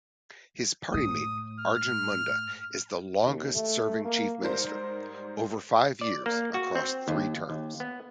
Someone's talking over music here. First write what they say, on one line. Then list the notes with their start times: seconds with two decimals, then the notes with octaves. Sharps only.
His party-mate Arjun Munda is the longest-serving chief minister-over five years, across three terms.
0.94 A2 D#6
1.60 F6
3.24 D#2
3.55 A3
4.04 A#3
4.42 G#2 G3 A#4 C5
6.01 D5
6.26 A#3
6.54 F#4
6.75 C4
7.08 D#2
7.50 D#2
7.80 B3